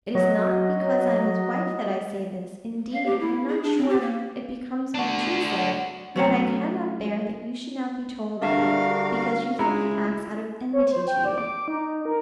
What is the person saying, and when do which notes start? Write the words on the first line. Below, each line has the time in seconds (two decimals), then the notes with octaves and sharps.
It is not because I am his wife that I say this--indeed I am not sure it becomes me to say it; yet I cannot bear that you should not be told of it, because you think he acts out of enmity to you.
0.15 F#3 D#5
2.92 F5
3.06 G4
3.19 E4
3.48 G#4
3.63 D4
3.77 C4
3.89 G4
4.00 A#3
4.94 D4 F#4
6.16 F#3 A3 C#4 A#5
8.42 D3 G3 D4 F#4 G#4 A#4 E5 F5
9.59 C#2 G#3 E4 F#4 A#5
10.73 C#5
10.91 C5
11.08 G5
11.25 D5
11.38 D6
11.68 D#4
12.05 A#4